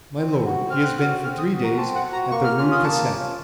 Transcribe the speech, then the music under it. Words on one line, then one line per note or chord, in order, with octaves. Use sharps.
"My lord, he has been for three days at the Rue Cassette."
C4
F#4
C4 F6
F#6
F#4 F6
C4 F6
D#6
F#4
A#5
C4 A5
F#5
F#4
A#5
A#3 C#6
F6
C#4 F4 F6
D#6
A#3 A5
C#4 F4